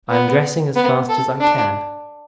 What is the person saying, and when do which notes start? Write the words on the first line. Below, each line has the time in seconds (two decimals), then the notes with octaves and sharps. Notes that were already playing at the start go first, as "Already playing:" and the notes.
I am dressing as fast as I can.
0.10 B3
0.76 B3
1.09 A4
1.41 D4